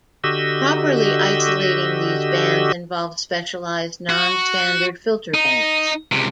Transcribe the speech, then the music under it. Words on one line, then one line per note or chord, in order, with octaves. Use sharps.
Properly isolating these bands involves specialized non-standard filter banks.
D3 F#4 G4 D#5 E6
F#4
D#4
C#2 C3